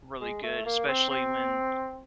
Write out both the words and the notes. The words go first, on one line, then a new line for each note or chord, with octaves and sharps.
really good, especially when,
G#3
A3
A#3
C4
C4